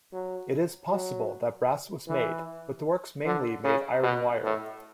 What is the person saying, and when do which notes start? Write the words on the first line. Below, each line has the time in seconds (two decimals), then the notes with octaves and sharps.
It is possible that brass was made, but the works mainly made iron wire.
0.13 F#3
0.92 F#3
2.08 E3
3.25 D3
3.64 C#3
4.03 B2
4.43 A2